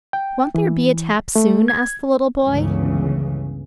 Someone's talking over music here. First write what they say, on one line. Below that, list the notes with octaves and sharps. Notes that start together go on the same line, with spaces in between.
"Won't there be a tap soon?" asked the little boy.
G5
E3
A3
G#6
G1 C#2 C#3 E3